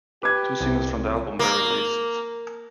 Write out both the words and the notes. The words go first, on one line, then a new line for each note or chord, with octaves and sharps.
Two singles from the album were released.
G4 B4 D6 G#6
C2
A#3